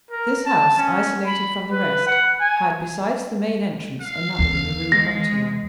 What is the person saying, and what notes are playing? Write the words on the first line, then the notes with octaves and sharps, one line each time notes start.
This house, isolated from the rest, had, besides the main entrance, another in the Rue Ponthieu.
A#4
A5
C#4
B5
B4
F#5
G#5
F5
E2
G#3 A#6